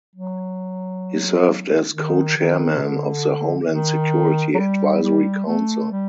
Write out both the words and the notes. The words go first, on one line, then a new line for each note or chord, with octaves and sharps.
He served as Co-chairman of the Homeland Security Advisory Council.
F#3
D#3
D#3
C3
D3
D#3
F#3
G3
G3
A3
G3